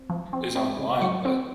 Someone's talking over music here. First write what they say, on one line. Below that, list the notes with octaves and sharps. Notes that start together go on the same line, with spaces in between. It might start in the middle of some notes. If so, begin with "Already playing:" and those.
is on the line, like,
Already playing: C4
F3
C4
C4
C#3
F#3 C#6
C4